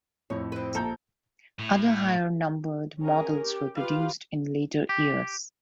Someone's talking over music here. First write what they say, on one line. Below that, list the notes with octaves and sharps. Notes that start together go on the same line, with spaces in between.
Other higher-numbered models were produced in later years.
F2 A2 C#5
C4 B4
A#1 A4 A#5 G6
A2
C#4 G#4 A#4
G4
F4 G4 B4 F5
G4